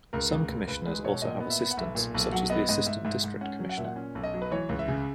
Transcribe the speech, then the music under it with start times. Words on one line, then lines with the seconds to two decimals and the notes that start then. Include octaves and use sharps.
Some commissioners also have assistants, such as the Assistant District Commissioner.
0.13 C#2 A#4
0.32 C#2
0.49 C#2
0.68 C#2 B4
0.86 G#3 B4
1.04 B2 C#5
1.22 A#2 D#5
1.40 B3
1.50 E5
1.59 B3
1.71 F#5
1.77 B1 E5
1.95 A#2
2.14 B1
2.32 F#3 F#5
2.50 B3 D#5
2.69 G#2 D#5
2.87 G#2 E5
3.05 G#2 E5
3.23 G#2
3.41 C#4 F#5
3.60 F#3
3.69 F#5
3.77 A#2 E5
3.85 F#5
3.96 C#4
4.15 B1
4.24 D#5
4.34 F#3
4.41 B4
4.51 E3 C#5
4.69 C#2
4.79 E5
4.88 C#3